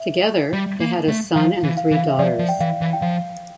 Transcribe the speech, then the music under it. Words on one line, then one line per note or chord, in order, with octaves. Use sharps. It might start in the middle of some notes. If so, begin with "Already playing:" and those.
Together, they had a son and three daughters.
Already playing: E5
G3
A#3
A3
F3 F5
E3
F5
E3
F5
E5
F3 D5
F3
G5
E3 F5
E3
G5
F3 F5